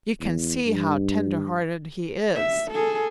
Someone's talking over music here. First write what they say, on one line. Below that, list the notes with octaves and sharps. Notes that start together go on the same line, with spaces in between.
You can see how tender-hearted he is.
E2
G2
E5
G#4 A4